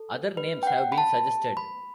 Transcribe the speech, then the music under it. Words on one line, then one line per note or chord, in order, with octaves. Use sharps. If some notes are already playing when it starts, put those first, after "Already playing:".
Other names have been suggested.
Already playing: A4
B4
G5
F#5
B5
A5
B5